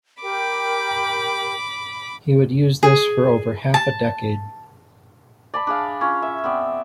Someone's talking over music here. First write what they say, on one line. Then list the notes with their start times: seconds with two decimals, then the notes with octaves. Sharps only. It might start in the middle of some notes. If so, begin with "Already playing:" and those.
He would use this for over half a decade.
0.22 G4 A#4 G5 B5 D6
2.83 G#4
3.74 A5
5.54 D5 A5 B5
5.67 D4 G#4 F5
6.01 C#4 F4
6.22 E5
6.44 B3 C4 D5